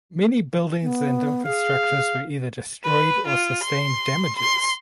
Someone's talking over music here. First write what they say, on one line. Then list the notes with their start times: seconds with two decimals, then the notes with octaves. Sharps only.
Many buildings and infrastructures were either destroyed or sustained damages.
0.83 B3
1.47 G#4 F5
2.84 B4
3.27 F4
3.63 C6
4.37 C6